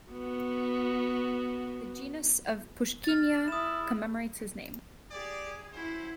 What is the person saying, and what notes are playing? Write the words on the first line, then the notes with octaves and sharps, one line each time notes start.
The genus of Puschkinia commemorates his name.
B3 F#4
F6 A6
E4 D#6 E7
G4 G#4 D5
C#4 E4 F#4 C5